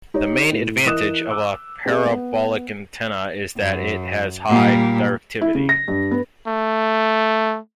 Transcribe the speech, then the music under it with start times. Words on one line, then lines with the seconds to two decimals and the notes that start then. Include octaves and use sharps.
The main advantage of a parabolic antenna is that it has high directivity.
0.14 D#4 G4 C#5
0.52 A2
0.86 E3 A#4 D#5 D#6 F#6 E7
1.29 D6 E6
1.85 C4 G4 G#4 C5 E5
2.05 B3
3.58 F#2
4.49 A#2 G3
5.41 E4
5.55 C#3
5.69 A#6
5.88 G2
6.11 B3
6.48 A3